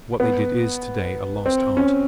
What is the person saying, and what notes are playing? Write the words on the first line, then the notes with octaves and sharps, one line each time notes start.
What they did is to-day a lost art.
B3
C4
C#4